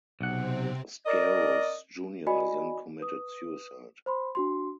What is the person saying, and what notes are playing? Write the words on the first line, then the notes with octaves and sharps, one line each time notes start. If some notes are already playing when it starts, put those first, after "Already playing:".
Scaurus Junior then committed suicide.
B1 C3 C4 F#5
A#4 D5 D#5
F#4 D5 D#5 G#5 B5
B4 D#6
C5 B5 C6
D4 F#4 C6